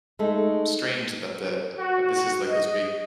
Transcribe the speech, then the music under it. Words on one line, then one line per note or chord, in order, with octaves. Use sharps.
strange that the that this is, like, this big,
G#3 A3 D#4 A4
F#4
D#5